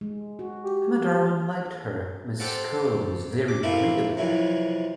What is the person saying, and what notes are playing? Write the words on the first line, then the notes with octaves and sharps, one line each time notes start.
Emma Darwin liked her, Miss Cobbe was very agreeable.
G#3
F#4
G4
C4 G4 A4 C5 F#5
D6
A3 A#3 C4 E4 G4
F2 C3 E3 F#3